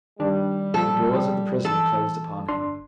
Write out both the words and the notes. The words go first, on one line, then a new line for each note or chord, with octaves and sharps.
The doors of the prison closed upon him.
D#3 G3 D4
A#2 F3 A4
E3 A4
G1 D4 C6